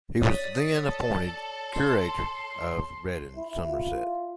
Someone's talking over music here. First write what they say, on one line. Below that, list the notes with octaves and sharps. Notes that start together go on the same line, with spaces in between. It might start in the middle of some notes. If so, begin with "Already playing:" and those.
He was then appointed Curate of Redden, Somerset.
C#5 D5 D#6 B6
A4
C6
E4
F4